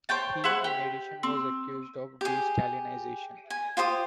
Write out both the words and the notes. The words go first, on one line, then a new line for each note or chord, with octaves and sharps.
He, in addition, was accused of de-Stalinisation.
C5 C#5 G5 A5
E4 G#4 C5 F#5
G4
C4
G4 G#4
G#5
F4 G4 C5 D#6